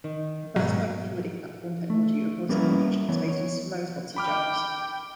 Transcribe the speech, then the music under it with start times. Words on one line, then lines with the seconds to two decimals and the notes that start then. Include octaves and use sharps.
A first microfluidic platform technology reported in literature is based on stimuli-responsive gels.
0.04 D#3
0.56 G#2 B2 F#3
1.90 A3
2.49 G3 A#3 B3 C#4 E4 A#4
3.08 E3 B3 C#5
3.29 C#5
4.16 G5 B5 D6 F6